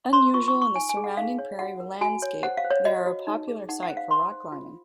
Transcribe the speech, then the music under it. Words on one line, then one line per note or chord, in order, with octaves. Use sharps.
Unusual in the surrounding prairie landscape, they are a popular site for rock climbing.
C5 C6
F4 C#6
C#6
F4
C#6
D#4 G#5
G#5
G#4
F#5
D#4 F5
C#5
F#4 F#5
A#4
F#4 G#5
C#5
C5 F#5
F5
C5
C#5
F#4 D#5
F#4
D#4
G#4
D#4 F#5
F#5
C5
F5
C5 C6
C5
F4